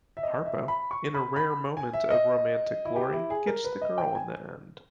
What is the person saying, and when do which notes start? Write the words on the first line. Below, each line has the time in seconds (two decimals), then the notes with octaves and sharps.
Harpo, in a rare moment of romantic glory, gets the girl in the end.
0.17 E5
0.23 D#5
0.46 E5
0.68 B5
0.91 C#6
1.14 B5
1.36 B5
1.77 G#5
1.93 E5
2.11 D#5
2.85 E4
2.96 G4
3.13 E4
3.30 G#4
3.47 A#4
3.64 B4
3.82 D#5
3.98 G5
4.15 G#5